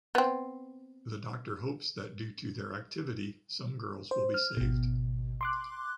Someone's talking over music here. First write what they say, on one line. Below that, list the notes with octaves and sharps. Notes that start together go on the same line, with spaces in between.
The doctor hopes that due to their activity some girls will be saved.
B3 C4
C5
F6
G#1 B2
C6 D6 F#6